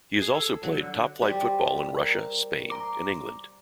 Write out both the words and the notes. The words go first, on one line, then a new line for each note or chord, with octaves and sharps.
He has also played top flight football in Russia, Spain and England.
G#4
A4
F#3
D3
G3 C4 G4
A#4
A#5 C6 D6